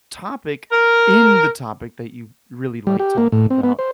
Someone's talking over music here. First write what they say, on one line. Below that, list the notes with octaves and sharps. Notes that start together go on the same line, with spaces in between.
topic in the topic that you r really like talking about
A#4
G3
G4
A#3
A2
C4
B3
C5